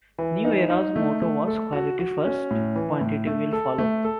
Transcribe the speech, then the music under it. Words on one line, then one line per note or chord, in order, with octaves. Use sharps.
New Era's motto was "Quality First, Quantity Will Follow".
E3
D#4
D#4
A3
A3
A4
F#4
F#4
C#4
A2
E3
A2
A3
A4
A3
A4